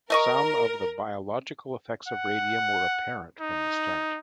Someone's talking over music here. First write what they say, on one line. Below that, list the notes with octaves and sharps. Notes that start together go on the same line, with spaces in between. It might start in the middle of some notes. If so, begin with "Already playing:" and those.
Some of the biological effects of radium were apparent from the start.
A3 A#4 D#5 C#6
F#5
D#4